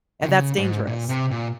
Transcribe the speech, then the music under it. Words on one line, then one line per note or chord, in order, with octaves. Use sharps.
And that's dangerous.
D#3
C#3
G#2
A#2
C3
A#2